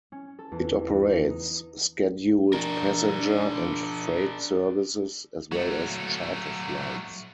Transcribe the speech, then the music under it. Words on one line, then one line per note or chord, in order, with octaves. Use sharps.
It operates scheduled passenger and freight services, as well as charter flights.
C#4
A4
E2
D4
B3
D#4
D4 A#4
F#3 A3